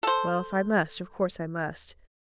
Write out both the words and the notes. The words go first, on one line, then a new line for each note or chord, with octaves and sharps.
Well, if I must, of course I must.
A4 C5